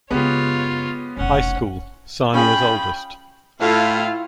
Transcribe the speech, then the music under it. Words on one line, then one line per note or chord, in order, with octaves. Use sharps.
High School, Sarnia's oldest.
F#2 C#3 G#3 B3 F4 G4 C#5
F1 B1 C#4 F#5
C#4 F4 G#4 G5 B5
A2 E4 F4 F5